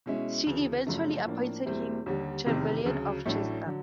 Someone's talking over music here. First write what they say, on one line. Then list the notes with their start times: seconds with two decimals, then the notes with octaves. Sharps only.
She eventually appointed him Chamberlain of Chester.
0.06 B2 G#3 C#4 E4
0.46 D2 C#3 E3
0.86 F#1 F#2 C#3 F3 A3
1.26 A2 F3 A#3 D4
1.66 E2 B2 G3 C4 E4
2.06 D#2 D3 G3
2.46 F1 E2 C3 D#3
2.85 D2 C#3 F#3
3.26 A1 A2 F#3 A3 D4
3.66 D3 F#3